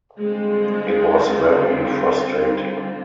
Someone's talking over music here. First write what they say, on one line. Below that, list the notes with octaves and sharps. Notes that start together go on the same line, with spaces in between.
It was very frustrating.
D3 G3 G#3 C4 F4